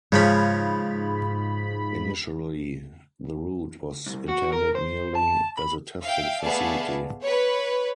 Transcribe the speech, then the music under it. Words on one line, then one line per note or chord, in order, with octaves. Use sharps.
Initially, the route was intended merely as a testing facility.
G#2 C#3 F3 G#3 C#4 B5
C2
F#4
A#4
C5
A5
B5
E5 F5 G5
A3 B3 G#4 D5 F5 A5
B4 C#5